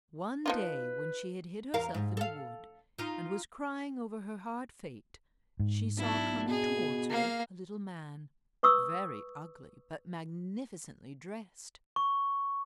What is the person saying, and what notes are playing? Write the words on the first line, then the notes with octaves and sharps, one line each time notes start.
One day, when she had hid herself in a wood, and was crying over her hard fate, she saw coming towards her a little man, very ugly, but magnificently dressed.
F3 D#4 F4 B4
E2 A#4 F5
G#2
A4 F5
D#4 F4
G#2
B1 D4 E4
B2 G#4
A#3 F5
B4 C#6 D#6 E6
C#6